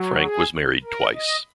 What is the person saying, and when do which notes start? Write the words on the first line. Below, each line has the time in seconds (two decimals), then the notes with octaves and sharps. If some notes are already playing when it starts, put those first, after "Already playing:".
Frank was married twice.
Already playing: F#3
0.22 G#4
0.84 A#4
1.15 D#5